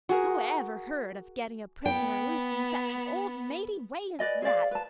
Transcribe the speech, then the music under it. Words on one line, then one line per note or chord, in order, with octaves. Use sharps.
Who ever heard of getting a prisoner loose in such an old-maidy way as that?
F#4 G#4 A#4
B3 G5
B4 D5 D#5 G#5
G#4 C5 D5 F5
B4 A5